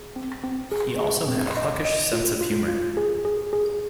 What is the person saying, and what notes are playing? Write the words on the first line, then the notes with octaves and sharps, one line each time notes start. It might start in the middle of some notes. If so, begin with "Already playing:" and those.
He also had a puckish sense of humour.
Already playing: G#4
C4
C4
G#4
G#4
C4
D#5
D#5
F4
F4
F4
G#4
G#4
G#4